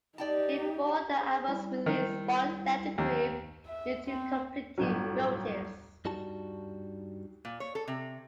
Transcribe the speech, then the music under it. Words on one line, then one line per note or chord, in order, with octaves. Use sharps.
Before the album's release, Spawn left the group due to conflicting motives.
D#4 G4 D5 G5 A5
G#4 C5
G3 E4
D#3
D#2
E5
C4
G1 A2 F#3
G2 G3 D#4 F#4 A5
A#2
C#5
A4
C3